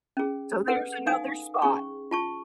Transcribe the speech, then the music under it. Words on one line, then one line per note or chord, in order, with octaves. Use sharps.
So, there's another spot
C#4 G#4
A4 B4 F#5
D#4 F5 G#5 D#6
C#4 G#4 C#6
F4 A5 C#6